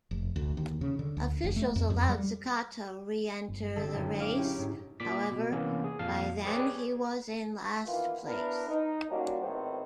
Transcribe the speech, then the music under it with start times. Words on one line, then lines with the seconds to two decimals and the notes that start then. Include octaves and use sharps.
Officials allowed Cecotto re-enter the race however, by then he was in last place.
0.11 F1
0.36 D2
0.57 D#2
0.81 C#3
0.99 D3
1.17 D2
1.44 F1
1.56 A3
1.76 F2
1.90 F2
2.09 G3
3.48 G1
3.76 D3 G#3 C4 A4 E5
3.93 F#1 A#2
4.20 F5 D6
4.36 C#4 E4 G4
4.58 G#2
5.00 A#2 D6 B6
5.32 B2
5.52 C3 E3 A#3 B3 C#4
5.84 G#4
5.99 F2 A#2 F5 A5
6.45 G4 G#4 B4 C#5 D5
7.86 D#3 E3 A#3 B3 F4
8.25 B3 D4 E4 A#4 B4
8.68 D#4
9.09 G3 A#3 C#4 D4 F4 F#4
9.42 G#1 A2 B3 C4 D#4 C5